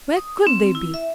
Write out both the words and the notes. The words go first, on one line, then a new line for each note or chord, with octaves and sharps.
Where could they be?
D#6
C4
E4
E5